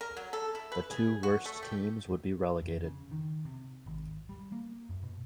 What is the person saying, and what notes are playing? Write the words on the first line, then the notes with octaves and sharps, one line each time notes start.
The two worst teams would be relegated.
A#4
F#3
A4
E4
B4
G#4
F#4
A3
G4
F2
C#3
D#3
C3
G#1
G3
A#3
F#2
B2